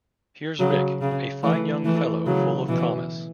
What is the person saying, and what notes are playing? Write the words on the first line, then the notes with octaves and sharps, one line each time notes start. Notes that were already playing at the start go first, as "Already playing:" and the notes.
Here's Rick, a fine young fellow full of promise.
C#3 F#3
C#3
E3 A3
E3 A3
C#3 F#3
B2 E3